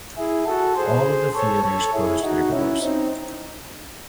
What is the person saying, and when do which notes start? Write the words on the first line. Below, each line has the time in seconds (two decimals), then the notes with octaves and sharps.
All of the theaters closed their doors.
0.18 E4 G#4
0.46 F#4 A4
0.76 G#4 C5
1.35 A4 C#5
1.64 A4 C#5
1.94 E4 G#4
2.22 D#4 F#4
2.52 C#4 E4
2.81 C4 D#4